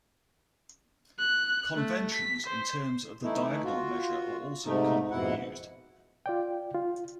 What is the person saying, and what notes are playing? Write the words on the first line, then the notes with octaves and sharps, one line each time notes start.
Conventions in terms of the diagonal measure are also commonly used.
F#6
A3
B6
C5
E3 A3 D#4 E4
F4 F#4
G#2 C3 A3 D#4
F2 G#2 B2 E4 F#5
F4 D5 G5
F4